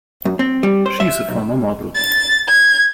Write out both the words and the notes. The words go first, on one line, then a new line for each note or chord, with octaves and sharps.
She is a former model.
F#2
C4
G3
C5
E5
B1
A6
G#6